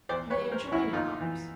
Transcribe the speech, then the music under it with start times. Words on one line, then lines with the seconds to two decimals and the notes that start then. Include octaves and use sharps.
They adjoin ours.
0.09 E2 C5 D5
0.30 B4 C#5
0.38 G3
0.51 A#4 C5
0.65 B2
0.72 E4 F#4
0.93 A#3 D#4 F4
1.21 E3